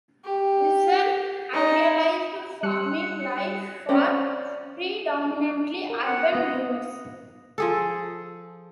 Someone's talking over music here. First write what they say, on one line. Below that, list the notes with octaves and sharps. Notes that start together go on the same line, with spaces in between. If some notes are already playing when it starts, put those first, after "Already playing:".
Wissel idealised farming life for predominantly urban viewers.
G4
D#4
G3 F#6 C#7
C4 C#4 D5
A#4
F#5
B3 F4 D#5
F3 G#4 A4